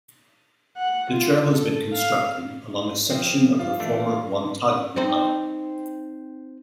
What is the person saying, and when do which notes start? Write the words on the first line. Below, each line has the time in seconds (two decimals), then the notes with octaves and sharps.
The trail has been constructed along a section of the former Wonthaggi line.
0.77 F#5
1.11 F4
1.48 A4
1.94 F5
3.10 F3 C4
3.59 F4
3.80 E3 A3 D4
4.96 C4 D#4 C5